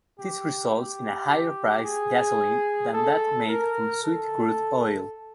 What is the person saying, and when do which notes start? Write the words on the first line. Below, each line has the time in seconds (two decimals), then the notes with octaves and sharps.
This results in a higher-priced gasoline than that made from sweet crude oil.
0.19 G4
0.74 G4
1.84 G#4
2.93 A4
3.48 A#4
4.03 A4